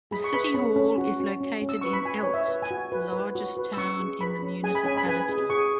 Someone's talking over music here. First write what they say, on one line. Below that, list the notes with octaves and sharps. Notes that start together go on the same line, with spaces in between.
The city hall is located in Elst, the largest town in the municipality.
G#4 B5
C#6
B4 B5
C#4
C#4
F#4
C#4
C#4
C#4
E6
B4 C#6
B5
F#4 G#5
B4 C#5
E5
B4
G#5
F#4
B4
B4
F#4
B4
E6
C#4 C#6
G#4
B4 B5
C#4
G#4 G#5
B5
C#4 G#5
B5
B4 G#5
G#4
G#4 C#6